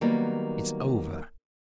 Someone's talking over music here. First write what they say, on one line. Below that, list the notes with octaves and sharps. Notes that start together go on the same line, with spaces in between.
It's over....
D#3 F#3 G3 A#3 B3